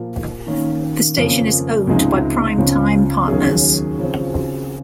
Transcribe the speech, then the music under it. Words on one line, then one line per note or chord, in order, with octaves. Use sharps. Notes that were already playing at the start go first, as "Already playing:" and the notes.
The station is owned by Prime Time Partners.
Already playing: A#2 F3 A#3
D#3 A#3 C#4
F2 C#3 F3 A#3
C#2 C3 F3 G#3 D#4
C#2 C#3 F3
D#2 D#3 F#3 C#4 G#4
C#3 F3 C4